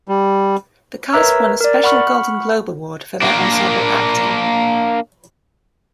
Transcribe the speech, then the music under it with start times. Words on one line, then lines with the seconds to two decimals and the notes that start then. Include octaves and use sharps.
The cast won a Special Golden Globe Award for their ensemble acting.
0.08 G3
1.13 A#4 B4 C#5 E5 A#5 E6
1.61 A#4 D5
1.83 F#5 B5 C#6 F6
3.22 A#3 D4